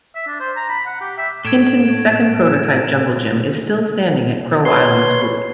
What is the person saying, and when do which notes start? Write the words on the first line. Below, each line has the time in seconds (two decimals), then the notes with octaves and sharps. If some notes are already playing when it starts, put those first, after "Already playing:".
Hinton's second prototype jungle gym is still standing at Crow Island School.
0.15 E5
0.27 D4
0.40 C5
0.56 A#5
0.69 B5
0.86 F#5
1.01 G4
1.18 E5
1.45 A2 G#6 D7 E7
4.65 B4 C#5 C6